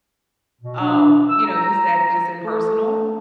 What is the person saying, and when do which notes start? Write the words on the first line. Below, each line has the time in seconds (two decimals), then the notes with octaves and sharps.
um, you know, use that just in personal?
0.61 B2
0.80 D4
1.29 E6
1.45 A#5
2.45 A3